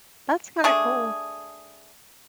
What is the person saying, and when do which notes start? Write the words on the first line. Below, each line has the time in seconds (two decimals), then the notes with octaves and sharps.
That's kinda cool.
0.64 A3 D4 G#4